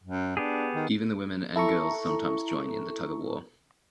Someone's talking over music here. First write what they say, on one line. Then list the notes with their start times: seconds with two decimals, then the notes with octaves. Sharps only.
Even the women and girls sometimes join in the tug of war.
0.04 F#2
0.37 B3 D4 G4 G#4
0.75 D#3
1.56 E4 A4 A#5 C#6